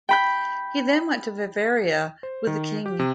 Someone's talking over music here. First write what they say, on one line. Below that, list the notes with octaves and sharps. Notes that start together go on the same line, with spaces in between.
He then went to Bavaria with the king.
G5 B5 G6
C5
D#3
G4
C3